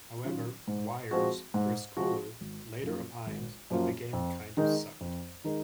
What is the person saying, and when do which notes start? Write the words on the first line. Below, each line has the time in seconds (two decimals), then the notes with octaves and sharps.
However, "Wired"s Chris Kohler later opined that the game "kind of sucked".
0.24 D#3 F#3 C#4 F4
0.67 G#2
1.11 F3 G#3 C4 F#4
1.54 G#2
1.97 F3 G#3 C4 F#4
2.41 G#1
2.83 F#2 F3 A#3 F4
3.27 G#1
3.70 F#2 F3 A#3 F4
4.13 F2
4.57 D#3 G#3 D#4 A#4
5.01 F2
5.44 D#3 G#3 D#4 A#4